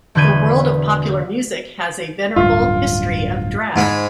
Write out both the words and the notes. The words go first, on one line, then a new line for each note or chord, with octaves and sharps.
The world of popular music has a venerable history of drag.
E1 D3 B4 G6 G#6 D#7
D1 G2 F4
G#2 G#3 B5